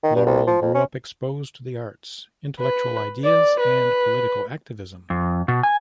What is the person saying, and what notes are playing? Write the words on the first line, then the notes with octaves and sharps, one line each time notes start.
Laurel grew up exposed to the arts, intellectual ideas and political activism.
D#3
G2
C2
F3
F2
C#4
B4
D5
B4
F2
B2
G#5